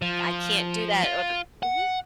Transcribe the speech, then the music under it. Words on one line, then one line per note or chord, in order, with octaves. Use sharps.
I I can't do that, or the mhm.
F3
F4
F#5